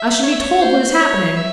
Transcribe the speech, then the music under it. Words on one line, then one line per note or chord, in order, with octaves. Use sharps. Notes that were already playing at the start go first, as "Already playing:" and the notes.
"I should be told what is happening."
Already playing: E5
C#5
E5
C#5
C5
C#5
E5